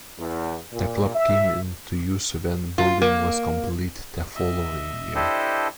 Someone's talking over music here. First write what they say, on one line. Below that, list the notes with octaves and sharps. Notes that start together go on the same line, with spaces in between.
The club came into use when building was completed the following year.
E2
A#2
E5
F4
A#3
D#5 E5
D4 E4 G4 A4 C5 D#5